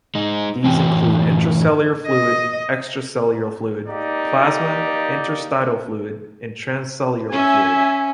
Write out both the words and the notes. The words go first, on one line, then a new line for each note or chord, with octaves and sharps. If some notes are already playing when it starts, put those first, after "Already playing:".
These include intracellular fluid; extracellular fluid; plasma; interstitial fluid; and transcellular fluid.
G#3 D#4
F#2 A2 E3 F#3 G5
D#5
A#3 D#4 G4 D5
C#4 E5 G#5